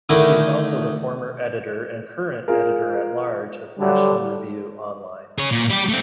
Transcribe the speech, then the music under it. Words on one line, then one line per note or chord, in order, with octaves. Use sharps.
She is also the former editor and current editor-at-large of "National Review Online".
D3 D#3 A3 D#4 E4
F4 G#4 A#4
D3 F#3 G3
G#4 C#5
A#2
G3 G4
A3 C4